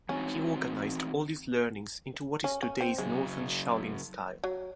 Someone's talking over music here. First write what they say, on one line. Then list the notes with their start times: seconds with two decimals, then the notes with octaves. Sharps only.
He organized all his learnings into what is today's Northern Shaolin style.
0.09 E3 C4 C#4 D#4 F#4
2.44 C#4
2.62 C#4
2.81 C4
2.98 F#2 C#3 F#3 G#3
4.44 F#3